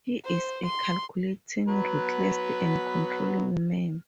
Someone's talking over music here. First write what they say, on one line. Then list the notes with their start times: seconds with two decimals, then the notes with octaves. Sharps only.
He is a calculating, ruthless, and controlling man.
0.25 C5
0.66 C6
1.68 F#3 B3 B4